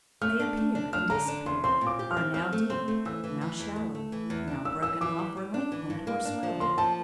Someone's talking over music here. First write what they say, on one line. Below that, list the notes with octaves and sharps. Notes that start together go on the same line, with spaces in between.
They appear and disappear, are now deep, now shallow, now broken off or lengthened or swelling.
A3 F6
D4
A3
D4
D4 F6
D3 A#5
D4
E2 C6
C4 C6
A#2
D6
G4
F6
C4
C4 F6
A3
C4 C6
A3
E3 E6
E3
E3
E2
A3
A3
E3
E2
D4
G3 E6
E3 E6
E3 D6
G3
G3
D4
E3
G2
A#3
D4
F3
A#3 C6
F3 A5